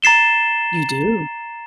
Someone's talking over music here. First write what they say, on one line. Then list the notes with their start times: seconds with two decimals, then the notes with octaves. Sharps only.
You do.
0.02 A#5 A6 C7 E7 G7